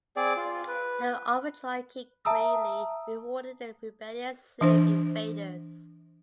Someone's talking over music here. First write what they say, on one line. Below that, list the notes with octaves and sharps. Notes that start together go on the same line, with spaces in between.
The overjoyed king greatly rewarded the rebellious slave invaders.
C4 G#4 D5
F4
B4
E5 A5 A#5 D#6 E6
E3 D4 C5